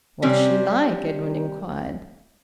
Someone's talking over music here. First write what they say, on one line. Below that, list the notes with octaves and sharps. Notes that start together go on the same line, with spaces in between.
"What's she like?" Edwin inquired.
C3 G3 C4 C#4